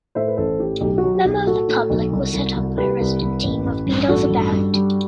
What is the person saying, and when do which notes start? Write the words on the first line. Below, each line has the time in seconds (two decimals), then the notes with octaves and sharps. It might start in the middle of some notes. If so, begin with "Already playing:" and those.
Members of the public were set up by a resident team of Beadle's About!
0.15 A2 C5 E5
0.28 B4
0.37 A1 A4 C5
0.59 A2 G4
0.81 B1 G4
0.98 F#4
1.04 F#3
1.14 G4
1.25 B1
1.31 G4
1.46 A2 F#4 A4
1.68 A2
1.90 B1
2.12 C2
2.33 C2
2.56 C2
2.77 C2 G4 B4
3.00 C2
3.21 C2
3.43 A1
3.65 A1
3.86 G2
4.08 A1 F#4 A4
4.30 G2
4.52 G2
4.74 G3